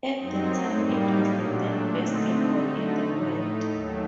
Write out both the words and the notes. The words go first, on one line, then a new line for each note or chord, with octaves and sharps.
At the time, it was the third best record in the world.
F#2 F#3 C4 D#4
A2 G3 A#3 D#4
A#2 F#3 A3 D4
D3 A3 C4 D#4
D3 A3 D#4
A2 A3 D#4
D#2 D#3 F#3 A3